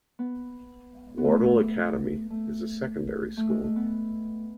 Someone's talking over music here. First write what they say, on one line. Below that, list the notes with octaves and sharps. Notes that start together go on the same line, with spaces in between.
Wardle Academy is a secondary School.
B3
B3
A3
A3
A3
G#3
A3
B3